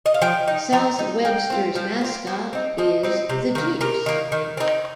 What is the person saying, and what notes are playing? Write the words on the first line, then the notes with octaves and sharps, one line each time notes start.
South Webster's mascot is the Jeeps.
D#5
F5
F3 G5
D#4
F3 A#5
D#4
F3 G5
C4 F4
F3 G5
C4 F4
F3
C4 D#4
F3 D#5
C4 D#4
C3
D#3 A#3
C3 A#4
D#3 A#3
D#3
C4 D#4